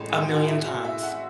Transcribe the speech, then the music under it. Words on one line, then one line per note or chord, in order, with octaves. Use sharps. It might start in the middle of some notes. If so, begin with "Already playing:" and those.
A million times.
Already playing: A1 A2 G#3
G#4
F#4
E4
F#4
E5
F#5